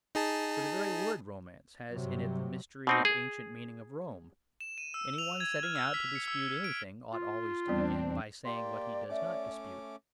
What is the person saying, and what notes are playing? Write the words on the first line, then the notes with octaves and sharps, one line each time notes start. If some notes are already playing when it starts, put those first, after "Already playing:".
For the very word "romance" has in it the mystery and ancient meaning of Rome. Any one setting out to dispute anything ought always to begin by saying what he does not dispute.
D#4 G#4 A5
G2 C3 F#3
B2 C4 D#4
G#4
E7
D#7
E6
F7
G#6
F6
E6
B6
C#7
E6
D7
F4
E2 G3 B3 C4 D4
A#3 G4 D5 C6
A3 C#4 C#5 E5 D6